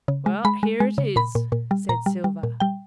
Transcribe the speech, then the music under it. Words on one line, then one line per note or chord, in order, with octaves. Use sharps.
"Well, here it is," said Silver.
C#3
G#3
G#3 B5
G#3
G#3
C#3
A#2 B5
A#2
A#2
G3
A#2 A#5
G3
G3
A#2
G3 G5